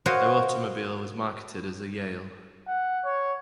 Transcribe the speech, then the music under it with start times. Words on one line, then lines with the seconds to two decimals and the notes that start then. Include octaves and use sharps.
Their automobile was marketed as the Yale.
0.06 F#4 A#4 C5 C#5 D#5 F5
2.67 F#5
3.04 C#5